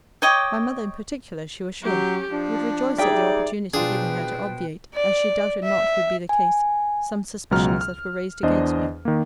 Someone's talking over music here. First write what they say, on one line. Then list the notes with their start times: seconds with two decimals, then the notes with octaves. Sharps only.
My mother in particular, she was sure, would rejoice at the opportunity given her to obviate, as she doubted not would be the case, some suspicions that were raised against me.
0.22 C#5 D#5 G5 D6
1.83 F#3 C#4 G4
2.32 F3 D4
2.98 G3 D#4 G#4 D5 E5 G5
3.74 B2 D4 F4 G#4 B4 C5 G5
4.95 D5
5.64 E5
6.29 G#5
7.51 C#2 B2 F#3 A#5 F6
7.81 F6
8.43 E2 D4 C5 D#5
9.05 D#3 A#3